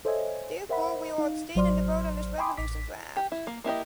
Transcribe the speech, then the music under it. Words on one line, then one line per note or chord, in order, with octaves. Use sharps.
Therefore, we will abstain in the vote on this resolution draft.
A4 C5 C#5 D#5 E5 G#5
A#4 C5 E5 F#5 B5
D#4 F5
A1 F#3 C5 D5 C6 F6
G5 G#5 B5 C6 D6 D#6
A1 D6 B6
G4
E4
A#3
A#3 E4 G4 D#5